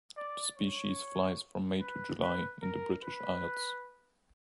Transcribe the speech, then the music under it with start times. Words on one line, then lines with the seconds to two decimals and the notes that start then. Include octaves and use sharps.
The species flies from May to July in the British Isles.
0.17 D5
0.57 C#5
1.80 B4
2.21 B4
2.62 A#4
3.02 B4